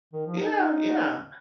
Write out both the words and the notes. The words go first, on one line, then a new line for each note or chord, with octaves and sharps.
Yeah, yeah.
D#3
F3
D#4
D#4